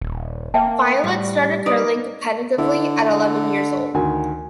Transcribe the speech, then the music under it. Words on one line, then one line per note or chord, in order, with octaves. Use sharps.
Violette started curling competitively at eleven years old.
D#1
A#3 E5 G5 A5
A2 G3 F#5
D#4 B4 D5
D3 E4
D2 D#3 G#5